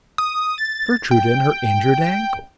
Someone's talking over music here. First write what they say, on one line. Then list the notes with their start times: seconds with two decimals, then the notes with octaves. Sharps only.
Gertrude and her injured ankle!
0.18 D#6
0.58 A6
1.11 G5